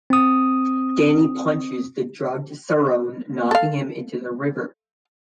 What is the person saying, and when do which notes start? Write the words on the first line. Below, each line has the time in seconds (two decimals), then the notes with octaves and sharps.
Danny punches the drugged Sarone, knocking him into the river.
0.10 C4 D#6
3.51 A4 F5